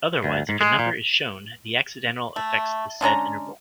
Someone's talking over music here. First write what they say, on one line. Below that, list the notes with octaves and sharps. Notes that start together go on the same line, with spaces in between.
Otherwise, if a number is shown, the accidental affects the said interval.
D2
G#2
G#3
A#2
A3
D3 G#3 C#4 A#5